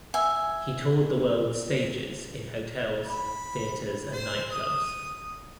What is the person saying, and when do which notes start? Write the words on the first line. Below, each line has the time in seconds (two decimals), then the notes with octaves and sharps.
He toured the world's stages in hotels, theaters and nightclubs.
0.14 E5 G#5
3.06 B5
4.13 C5
4.51 D#6